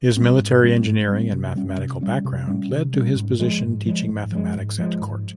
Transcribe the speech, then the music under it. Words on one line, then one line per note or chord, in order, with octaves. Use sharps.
His military engineering and mathematical background led to his position teaching mathematics at court.
G3 C4
G#2
G3 C4
G#2
G3 C4
C3
G3 C#4
C3
G3 C#4
C3
G3 C#4
C3
G3 C#4
G#2
F3 G#3
G#2
F3 G#3
G#2
F3 G#3
G#2
F3 G#3
G#2